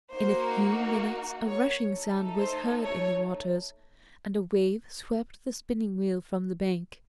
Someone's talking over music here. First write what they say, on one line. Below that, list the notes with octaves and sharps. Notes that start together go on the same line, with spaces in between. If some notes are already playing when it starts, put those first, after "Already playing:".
In a few minutes a rushing sound was heard in the waters, and a wave swept the spinning-wheel from the bank.
A#3 D#4 F#4 C5
C#5
A3 D#4 A4
C5
C#5